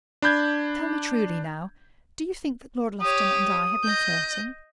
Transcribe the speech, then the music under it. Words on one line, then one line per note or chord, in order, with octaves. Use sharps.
"Tell me truly now, do you think that Lord Lufton and I have been flirting?"
D4 B5 G6 G#6
G4 C#5 D#6
D#5 G6